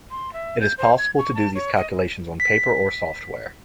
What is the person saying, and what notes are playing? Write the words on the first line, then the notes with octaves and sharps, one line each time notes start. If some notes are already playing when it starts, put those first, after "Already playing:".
It is possible to do these calculations on paper or software.
C6
E5
G6
C5
G#6
C#6
A5
C#5
D#5
B6